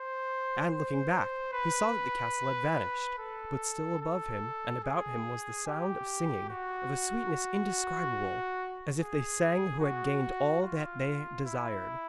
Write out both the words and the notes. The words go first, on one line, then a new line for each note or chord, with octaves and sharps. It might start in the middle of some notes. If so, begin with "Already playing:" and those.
And, looking back, he saw that the castle had vanished. But still above him and about him was the sound of singing, of a sweetness indescribable, as if they sang who had gained all that they desired.
Already playing: C5
C5
B4
A4
A4
G#4
G4
F#4
G#4
F#4
F4
E4